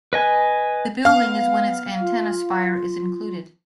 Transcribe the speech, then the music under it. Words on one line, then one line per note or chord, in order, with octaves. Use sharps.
The building is when its antenna spire is included.
B4 D#5 G#5
B3 F5 F6
F4